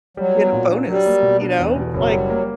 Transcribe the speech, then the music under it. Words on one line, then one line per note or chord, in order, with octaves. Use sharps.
get a bonus, you know, like
F#3 G3
B3
A#2
D4
F#3 G3
A#3
B2
D4
E2 F#3
E3
B2 G3
F#1 F#3
G3
A#3